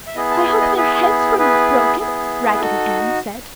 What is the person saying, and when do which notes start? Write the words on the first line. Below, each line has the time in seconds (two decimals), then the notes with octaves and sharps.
"I hope their heads were not broken!" Raggedy Ann said.
0.07 E5
0.15 B3 E4 G#4 D#5
0.31 A5
0.46 G#5
0.61 D#5
0.76 B3 E4 G#4 B4
1.38 B3 E4 G#4 B4
2.00 B3 E4 G#4
2.55 B4
2.61 D#4 F#4 A4